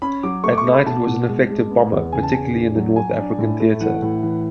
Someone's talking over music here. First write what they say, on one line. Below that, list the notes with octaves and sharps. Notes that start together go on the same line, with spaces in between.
At night it was an effective bomber, particularly in the North African theatre.
C#4 B5
F#3 D6
A3 C#6
D6
C#6
A3
B5
B2 A5
B2
G#3
G#3
B3
E2
C#3 G#5
A5
E2 G#5
D4
F#3
F#3 G#5
D4
A2
A3
E3 F#5
A2
E3